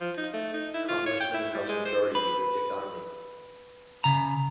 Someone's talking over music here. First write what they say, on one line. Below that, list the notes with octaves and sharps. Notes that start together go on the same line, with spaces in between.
Congressman and House Majority Leader Dick Armey.
F3
D#4
A3
D#4
E4
F4
C#5
G5
E4
G3
G#3
C5
B4
C#3 A#5